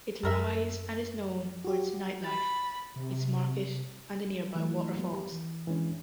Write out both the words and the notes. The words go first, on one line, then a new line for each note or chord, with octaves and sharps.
It lies and is known for its nightlife, its market and the nearby waterfalls.
F#2 A4 A#4 E5
F#4 G4
B5 A6
C3
E3 F#3 A3 E4
F#3 G#3 B3
G4
E3
E3 G#3 C#4 D4